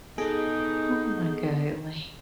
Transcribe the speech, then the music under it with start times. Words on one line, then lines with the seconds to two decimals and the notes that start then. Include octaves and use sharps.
oh my golly,
0.18 B3 D#4 G#4 A4 D#5